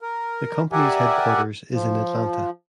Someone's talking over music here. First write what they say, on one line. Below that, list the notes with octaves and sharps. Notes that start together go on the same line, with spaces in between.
The company's headquarters is in Atlanta.
A#4
G4 A#4 D5 E5 F#5 G#5
F3